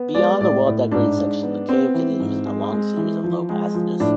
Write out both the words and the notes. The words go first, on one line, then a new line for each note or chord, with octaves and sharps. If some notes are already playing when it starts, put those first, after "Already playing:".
Beyond the well-decorated section the cave continues in a long series of low passages.
Already playing: B3
G#3 D5
A2 D5
A2
G#2 D4
G#2
B3
B3 C4
E3
G#2
G#3
G#3
E3
F3
G#3
F3
A2 D4